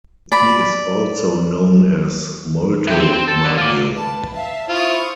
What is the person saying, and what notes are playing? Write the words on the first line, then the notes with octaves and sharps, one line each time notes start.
He is also known as "Molto Mario".
D5 B5
E3 G4
C4
C4
A4
D3
F4 D5
B4 A5
E5 F5 A5
E4 F4 C5 C#6 D#6